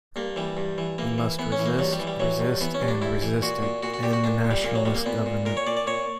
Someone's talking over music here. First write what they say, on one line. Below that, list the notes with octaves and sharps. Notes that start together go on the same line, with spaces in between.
We must resist, resist, and resist it - and the Nationalist Government.
G2 A#3
E3 G3
G2
E3
E3 A#3
E3
E3 B3
C#4
E3
A#3
G2 F#3
G3
E3
G3
E3 F#3
G2
E3 B3
C#4
G2
D4
G2 E4
E3
A#2 F#4
A#2
A#2 F#4
F#4
A#2 G4
F#4
A#2 D4
A#2
G3
A#2 A#3
F#3
A#2 G3
A#3
A#2 B3
A#2
A#2 A#4
C#5
A#2 D5
D5
A#2 C#5